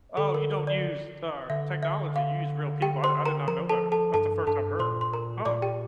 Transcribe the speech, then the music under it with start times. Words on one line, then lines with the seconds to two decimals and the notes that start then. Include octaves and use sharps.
Oh, you don't use, uh, technology, you use real people. I I did not know that. That's the first I've heard. Huh.
0.17 D3 A4
0.34 A#4
0.51 A#4
0.67 D5
1.50 D3 E5
1.83 E5
2.16 F5
2.82 G4 G5
3.04 C5 C6
3.26 A#4 A#5
3.48 F3 A#4 A#5
3.69 A4 A5
3.92 A4 A5
4.14 G2 A4 A5
4.47 G2 A4 A5
4.79 A#2 C5 C6
5.01 C6
5.13 A#4 A#5
5.45 A#2 D5 D6
5.62 G4 G5